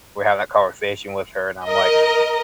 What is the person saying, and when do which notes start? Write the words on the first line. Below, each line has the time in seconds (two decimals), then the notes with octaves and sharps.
we had that conversation with her and I'm like,
1.66 A#4 D#5